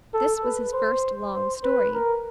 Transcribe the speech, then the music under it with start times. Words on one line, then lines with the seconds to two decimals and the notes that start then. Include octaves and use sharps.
This was his first long story.
0.14 A4
0.43 B4
0.73 C5
1.34 C5
1.63 B4
1.93 A#4